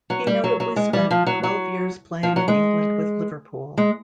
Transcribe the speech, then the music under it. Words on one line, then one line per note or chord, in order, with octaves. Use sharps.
He notably spent twelve years playing in England with Liverpool.
F#3
G3
F#3
F#3
G#3
G3
F3
F#3
F#3
F3
F#3
G#3
G#3